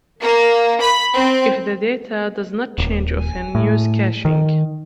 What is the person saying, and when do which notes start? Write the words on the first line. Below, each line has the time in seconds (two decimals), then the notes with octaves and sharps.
If the data does not change often use caching.
0.21 A#3
0.80 B5
1.15 C4
2.78 D#1
3.55 A2
4.25 D#3